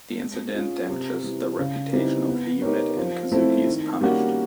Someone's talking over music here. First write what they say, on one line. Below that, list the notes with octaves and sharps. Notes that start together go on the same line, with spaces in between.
The incident damages the reputation of the unit and Kazuki is punished.
G#3
C#4 F4 G#4
C3
E3 G3
C#3
E3 G3 C4 D#4
B3
D#4 G4 A#4 C#5
F3
A3 C4 E4
D#3
G3 A#3 C#4 F#4